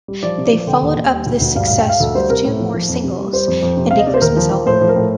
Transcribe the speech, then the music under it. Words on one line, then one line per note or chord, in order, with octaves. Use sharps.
They followed up this success with two more singles and a Christmas album.
G3
F3 D5
C3
D5
F3
D3 G5
D#2
D#2
G3
D2
D2
G2 F5
G2 F5
G5
G2 F5
D2 A4
G3 C5
C3 A#4
A2 A#4
F3
F3
F2
C3
G3
G3 C5
F2
F2
C3
C3 F5
D#5
C3 D5
C5
D#2 A#4
F3
F3
A2 C5
F3
A#4
A2